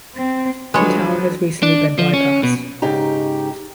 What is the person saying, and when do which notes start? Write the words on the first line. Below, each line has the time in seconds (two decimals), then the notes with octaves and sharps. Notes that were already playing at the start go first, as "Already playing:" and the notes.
The town has recently been bypassed.
0.16 C4
0.74 D3 F3 F#3 G#3 B4 C#5
1.63 D4
1.99 F3
2.14 C#4
2.43 B2
2.82 G#2 C#3 D#4 G4 A#5